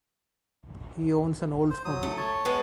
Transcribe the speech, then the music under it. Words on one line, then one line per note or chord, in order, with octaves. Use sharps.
He owns an Oldsmobile.
C5
F#3 D#6
A3
C#5 A5
G#3 B3